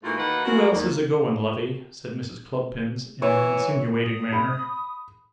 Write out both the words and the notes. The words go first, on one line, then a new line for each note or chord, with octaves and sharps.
'Who else is a-goin', lovey?' said Mrs. Cluppins, in an insinuating manner.
G#2 E3 A3 A#3 F4 F#4
B2 D#3 A#3 D#4 B4 F#5
F#3 G#3 E4 F#4 A#4
D#2
E3 C#5
D#6
B5